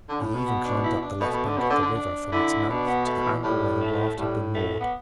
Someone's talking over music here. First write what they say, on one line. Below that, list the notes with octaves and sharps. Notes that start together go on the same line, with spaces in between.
He even climbed up the left bank of the river from its mouth to the angle where the raft had been moored.
D3
A2
B2
B3
D4
E4
D4
B2 A3
B2
D3
B2 B3
D3
D4
D3
D4
D3 E4
B2 D4
B3
A3
E3
A2 G3
A3
A2 G3
A3
B3